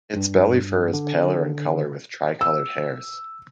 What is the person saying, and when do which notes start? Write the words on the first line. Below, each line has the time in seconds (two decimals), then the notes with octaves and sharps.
Its belly fur is paler in color with tricolored hairs.
0.16 G2
0.93 D3
2.41 E6